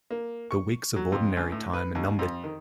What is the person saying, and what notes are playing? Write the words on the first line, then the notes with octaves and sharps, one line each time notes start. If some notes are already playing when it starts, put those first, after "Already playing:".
The weeks of Ordinary Time are numbered.
A#3
C#6
F#3
F2
C#2
A2
B4
D#2
F2
D#3